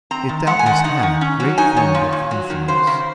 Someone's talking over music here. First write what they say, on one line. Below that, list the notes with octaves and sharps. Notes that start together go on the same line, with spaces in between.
It doubtless had great formative influence.
C4 A#5
D#3
G#3 F#5
G#5
D#3 F#5
D#4 F#5
D#3
C#4
F#3
D#4 G#5
D#3 C#5
A#2
A#2
F#3
D#3
C#3 C5
C#3